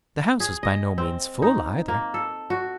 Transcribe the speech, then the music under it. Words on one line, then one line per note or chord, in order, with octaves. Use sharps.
The house was by no means full, either.
G#4
D#5
C4
D#4
A#3
A4
F#4